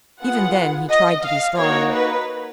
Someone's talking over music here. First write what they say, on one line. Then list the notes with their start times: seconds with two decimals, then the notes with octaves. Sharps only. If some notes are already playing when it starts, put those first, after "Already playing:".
Even then he tried to be strong.
0.20 B3 F4 G#4 F#5
0.89 D#5
1.24 F5
1.58 A#3 D#4 F#4 C#5
1.93 B4